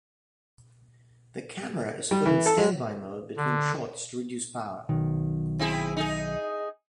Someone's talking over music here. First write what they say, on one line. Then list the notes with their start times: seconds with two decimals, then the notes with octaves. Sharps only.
The camera is put in standby mode between shots to reduce power.
2.11 G3
2.25 E3
2.46 A4
2.58 G#3
3.36 D3
4.89 B1 D#3
5.59 C4 E4 G#4
5.96 D#4 G#4